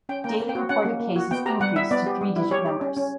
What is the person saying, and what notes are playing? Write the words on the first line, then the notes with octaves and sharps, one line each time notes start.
Daily reported cases increased to three digit numbers.
C#4 G5
A#3 G5 A#5
A#3
G5
F#4
C#4 F#5
A#3
A#3
F#4
B3 G5
G4 A#5
G3 F#5
E4 E5
B3 D5
G4
G3
E4
G4 C#5
G4
C#4
C#4